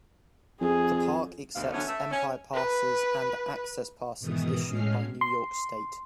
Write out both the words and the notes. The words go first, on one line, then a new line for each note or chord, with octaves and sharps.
The park accepts Empire Passes and Access Passes issued by New York State.
F2 G#4
D2 B2 F5
F#2 D3 E3 F3 B3 C#4
A3 E5
C#4
B4
G#2 B2 D#3 E3 D#6
A2 G#3 C#4 F6 C7
C6